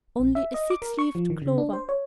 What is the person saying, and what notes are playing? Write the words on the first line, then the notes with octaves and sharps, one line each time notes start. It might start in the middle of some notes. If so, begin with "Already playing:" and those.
Only a six-leaved clover!
A#1
E5
D#5
D6
A#4
C#6
F3
D#3
C#3
D4
C5
C#5